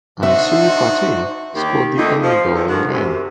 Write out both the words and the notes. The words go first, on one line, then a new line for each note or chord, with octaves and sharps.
Ansu Fati scored the only goal in the game.
D4 D#4 F#4 C5 E5
D#2 G4
F2 D3 A3 D#4
F3
E2
D3 D#3 F3 F#4
F#2 C3